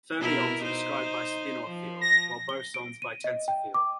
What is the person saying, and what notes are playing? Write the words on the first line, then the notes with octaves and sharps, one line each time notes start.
Fermions are described by spinor field, while bosons by tensor field.
B2 E4 A#4
D#4 C5
F3
A#6
G7
D7
D#7
D#5
G5
D6